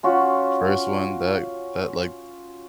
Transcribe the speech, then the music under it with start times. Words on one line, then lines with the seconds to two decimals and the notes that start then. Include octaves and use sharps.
First one that that, like,
0.03 C#4 F4 F#4